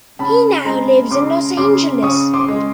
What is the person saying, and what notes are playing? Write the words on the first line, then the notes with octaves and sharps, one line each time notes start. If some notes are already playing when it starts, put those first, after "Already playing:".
He now lives in Los Angeles.
C#3 A5 B5
G#3 A#5 C6
C#3 C6 D6
C#3 C6 D6
C#3 C#6 D#6
C6 D6
G#3